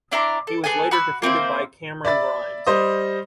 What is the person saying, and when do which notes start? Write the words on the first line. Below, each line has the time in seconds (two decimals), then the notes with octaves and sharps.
He was later defeated by Cameron Grimes.
0.12 D4 E4 A#5 C6
0.47 A4
0.64 B3 G#4 A4 G#5
0.91 F#4 B5 E6
1.22 A#3 C4 E4 C5
2.05 D5 E5 B5 A6
2.67 G3 C5 D#5